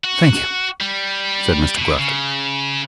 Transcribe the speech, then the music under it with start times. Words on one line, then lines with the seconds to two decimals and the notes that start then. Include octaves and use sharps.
"Thank you," said Mr. Grafton.
0.04 F#4
0.81 G3
1.77 B2
1.98 C#3